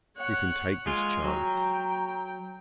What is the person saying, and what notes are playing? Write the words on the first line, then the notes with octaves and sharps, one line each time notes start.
You can take this chance.
C#5 F#5
G#3 F4 G#5
F#3 G5 A#5